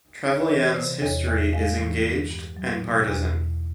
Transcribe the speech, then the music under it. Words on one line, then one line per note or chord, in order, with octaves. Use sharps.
Trevelyan's history is engaged and partisan.
C#5
D5
E3 C#5 D#5
C3 C5 D5
E2 C#5 D#5
E2 D5 E5
G#3 D#5 F5
E3
G2
G2
F#3
B2
E2